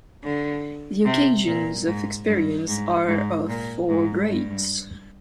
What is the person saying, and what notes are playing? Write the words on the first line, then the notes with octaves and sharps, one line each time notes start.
The occasions of experience are of four grades.
D3
C3
A#2
G#2
G2
G#2
G#2
A#2
G#2
G2